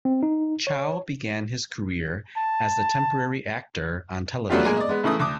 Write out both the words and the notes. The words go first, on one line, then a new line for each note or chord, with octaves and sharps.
Chow began his career as a temporary actor on television.
C4
D#4
C#5
A5
F#3 A3 B3 D4 F4 G4
G#3 A#3 G#5
D5 D#5
G#3 B3
A1 C#3 E3 A3 E4 D#6
D2 D6 D#6